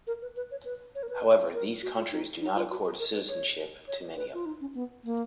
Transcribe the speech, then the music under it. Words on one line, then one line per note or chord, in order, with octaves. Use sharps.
However these countries do not accord citizenship to many of them.
A#4
B4
B4
C#5
B4
C#5
A#4
B4
A#4
F#4
F4
D#4
D#4
F4
F#4
G#4
A#4
B4
C#5
C#5
B4
F4
D#4
C#4
B3
A#3